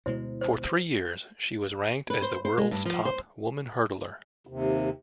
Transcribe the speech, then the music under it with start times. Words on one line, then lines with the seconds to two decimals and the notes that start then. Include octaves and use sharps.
For three years, she was ranked as the world's top woman hurdler.
0.06 D2 B2 G#3 E4 F#4 C5
0.41 C5
2.10 B4
2.22 C5
2.45 C5
2.58 G#3
2.71 G2
2.85 F3
3.05 C5
4.47 D#2 C3